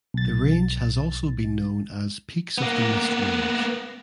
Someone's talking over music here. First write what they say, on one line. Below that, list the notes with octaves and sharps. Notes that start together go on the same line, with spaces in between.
The range has also been known as Peaks of the Mist Range.
B1 A6
A#3 B3